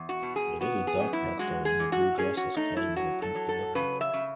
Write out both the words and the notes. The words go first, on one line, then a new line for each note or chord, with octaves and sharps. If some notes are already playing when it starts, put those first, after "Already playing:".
A little darkhaired girl in a blue dress is playing with a pink Hula Hoop.
Already playing: E2
F#4
B2
G#4
B3 F#4
G#4
F#2
E4
G#3 F#4
G#4
E3
F#4
C#4 G#4
F#4
A3 D#4
E4
F#3 F#4
A4
F#3
A4
C#3 B4
E5
C#3